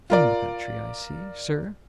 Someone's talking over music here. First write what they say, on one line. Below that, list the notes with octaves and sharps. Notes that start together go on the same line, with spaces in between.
'From the country, I see, sir?'
F4 A#4 D5